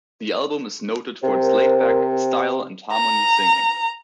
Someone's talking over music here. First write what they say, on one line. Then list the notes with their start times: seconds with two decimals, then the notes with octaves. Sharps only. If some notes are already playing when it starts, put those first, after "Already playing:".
The album is noted for its laid-back style and harmony singing.
1.23 C3 A#4 C5
2.92 A#5